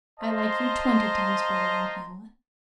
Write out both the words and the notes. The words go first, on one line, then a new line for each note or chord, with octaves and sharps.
I like you twenty times better than Hamlet.'
C5 D#5 F5 A5 A#5 C6